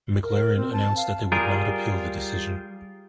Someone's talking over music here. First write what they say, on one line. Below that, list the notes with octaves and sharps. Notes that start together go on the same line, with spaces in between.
McLaren announced that they would not appeal the decision.
A#4
C4
A5
F5
G3 F4 G#4 A#4